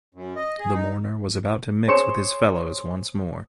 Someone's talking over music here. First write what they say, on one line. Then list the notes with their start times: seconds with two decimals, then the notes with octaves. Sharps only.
The mourner was about to mix with his fellows once more.
0.15 F#2
0.36 D#5
0.59 G#4
0.74 D#4
1.87 G#4 C5 C#5 C6 C#7 E7